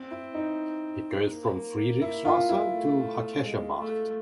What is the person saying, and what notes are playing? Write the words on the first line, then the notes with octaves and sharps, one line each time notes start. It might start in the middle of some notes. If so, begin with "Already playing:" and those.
It goes from Friedrichstraße to Hackescher Markt.
Already playing: C4
E4
D#4
A#3
E4
F4
E4
A3
G#3
A3